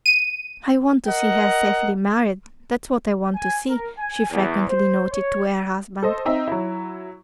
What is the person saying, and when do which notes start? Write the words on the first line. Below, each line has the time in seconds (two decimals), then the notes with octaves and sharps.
"I want to see her safely married--that's what I want to see," she frequently noted to her husband.
0.06 D#7
1.07 A#4 D#5 F#5
3.35 G#5
3.69 A#4
3.97 G#5
4.31 E2
4.69 C5
5.11 C#5
6.02 A4 C5 D#5
6.25 C4 D#4 E5
6.48 F#3 E4